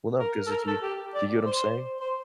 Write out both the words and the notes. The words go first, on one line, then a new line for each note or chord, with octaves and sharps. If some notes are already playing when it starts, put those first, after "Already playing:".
Well, no. 'Cause if you do you get what I'm saying?
A#4
A4
A#4
A4
G4
D5
C5
C5